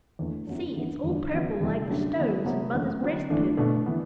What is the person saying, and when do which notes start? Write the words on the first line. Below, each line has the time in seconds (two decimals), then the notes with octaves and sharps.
See, it's all purple, like the stones in mother's breastpin.
0.19 E2 D3 A3
0.47 F#2 F#3 B3 E4
0.75 G2 E3 B3 E4
1.04 E2 D3 G3 D4
1.31 F#2 E3 B3 F#4
1.60 E2 C3 G3
1.88 F#2 D3 G3 D4 F#4
2.17 E3 B3 E4
2.45 C3 F#3 B3
2.73 F#2 E3 A3 E4
3.01 D3 F#3 C4
3.30 G2 E3 A3 D4
3.57 B2 A3 D4
3.86 E3 B3